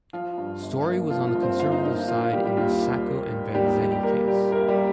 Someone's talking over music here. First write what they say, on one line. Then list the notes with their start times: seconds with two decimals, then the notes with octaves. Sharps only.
Storey was on the conservative side in the Sacco and Vanzetti case.
0.13 F3 F4
0.38 G2
0.62 G1
0.86 A#3
1.10 F3 F4
1.27 F4
1.35 G2
1.43 C4 C5
1.59 G1 F4 F5
1.72 D#4
1.83 A#3 D#4
1.96 F4
2.08 A#3 F4
2.20 F4
2.33 D#3 G3 G4
2.45 G3 G4
2.57 D#2 F4
2.82 D#2
3.06 A#3
3.30 D#3
3.54 D#2 G3 G4
3.67 D#4
3.79 D#2
3.91 G3 G4
4.03 G3 A#3 A#4
4.28 A#2 G3 G4
4.52 A#1 A#3 A#4
4.68 G3 G4
4.76 A#3